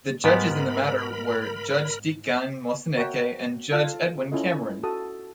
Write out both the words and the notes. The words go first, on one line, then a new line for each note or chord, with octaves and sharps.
The judges in the matter were: Judge Dikgang Moseneke and Judge Edwin Cameron.
G#2 B3 G4 A#4 B5
F#4 A#4 C#5 E5 F#5 G5
F4 A4 D5 F5 A5
C#4 E4 F4 A4 D#5
F#4 A4 A5 D#6